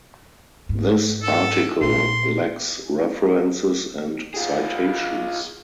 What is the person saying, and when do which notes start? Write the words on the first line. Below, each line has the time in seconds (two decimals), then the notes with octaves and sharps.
This article lacks references and citations.
0.69 G#2
1.23 A4
1.81 A#1 C6
4.34 F4 G#4